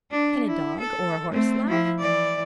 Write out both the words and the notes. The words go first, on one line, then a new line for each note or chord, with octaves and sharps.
Can a dog, or a horse laugh?
D4
E4
A4
A3 C4
F3 E4
E3 D5